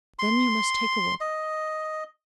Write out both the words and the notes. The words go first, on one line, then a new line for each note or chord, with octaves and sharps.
Then you must take a walk.
C6
D#5